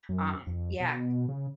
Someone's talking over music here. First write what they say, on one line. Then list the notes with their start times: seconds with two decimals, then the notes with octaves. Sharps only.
um yeah.
0.09 F#2
0.47 F2
0.80 B2
1.28 C#3